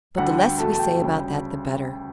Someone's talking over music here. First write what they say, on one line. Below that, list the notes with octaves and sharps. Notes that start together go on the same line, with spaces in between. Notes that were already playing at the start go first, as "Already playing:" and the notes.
But the less we say about that the better.
D2 D3 G3 F#5
G5
E2 B2 A3 A5
A5
G5
D2 C#3 G3